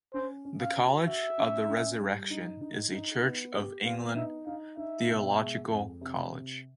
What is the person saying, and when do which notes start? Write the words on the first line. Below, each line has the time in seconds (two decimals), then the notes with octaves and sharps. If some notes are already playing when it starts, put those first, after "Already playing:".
The College of the Resurrection is a Church of England theological college.
0.14 C#4 C5
0.45 C#4
0.61 F5
0.76 F#4
1.07 F#4 E5
1.38 C#4
1.69 C#4
2.00 G3
2.30 D#4
2.61 D#4
2.92 D#4
3.23 B3
3.54 G4
3.85 B3 F5
4.15 D#4 E5
4.47 D#4 F5
4.77 D#4 E5
5.08 B2
5.39 G#3
5.70 F2
6.01 C3
6.32 C3